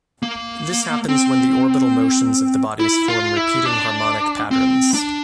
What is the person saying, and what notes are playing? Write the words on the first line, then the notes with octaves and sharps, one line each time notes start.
This happens when the orbital motions of the bodies form repeating harmonic patterns.
A#3
C4
E4
F4
E4
D4
C4
D4